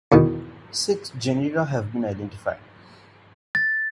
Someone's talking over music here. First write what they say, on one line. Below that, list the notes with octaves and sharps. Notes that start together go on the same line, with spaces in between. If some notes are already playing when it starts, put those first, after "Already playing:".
Six genera have been identified.
E2 B2 D#3
A6